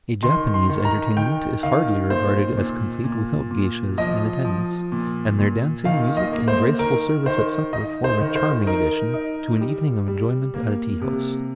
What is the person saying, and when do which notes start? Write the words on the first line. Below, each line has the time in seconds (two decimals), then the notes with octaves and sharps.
A Japanese entertainment is hardly regarded as complete without geishas in attendance, and their dancing, music, and graceful service at supper form a charming addition to an evening of enjoyment at a tea-house.
0.23 D#3 C6
0.54 C6
0.69 D#3
0.85 A#5
1.17 D#3 G5
1.63 D#3 F5
2.10 A#2 C5
2.57 A#2
3.04 A#2
3.51 A#2
3.98 F3 D#5
4.45 F3
4.92 A#2
5.38 A#2
5.85 D#3 F5
6.17 D#5
6.32 A#3
6.48 C5
6.79 D#3 A#4
7.26 D#3 C5
7.73 D#4 D#5
8.04 C5
8.20 D#3
8.35 C5
8.67 D#4 A#4
9.14 D#4
9.61 G3
10.08 G3
10.54 A#3
11.01 C3